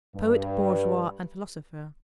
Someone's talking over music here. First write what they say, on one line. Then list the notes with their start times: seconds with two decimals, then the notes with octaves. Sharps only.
Poet, Bourgeois, and Philosopher.
0.15 G2